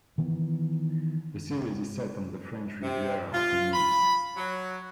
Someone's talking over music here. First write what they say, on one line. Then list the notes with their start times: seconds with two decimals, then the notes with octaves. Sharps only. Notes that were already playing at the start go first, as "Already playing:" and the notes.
The series is set on the French Riviera in Nice.
0.18 D#3 E3 B3
2.83 C3
3.34 F4
3.74 B5
4.37 F#3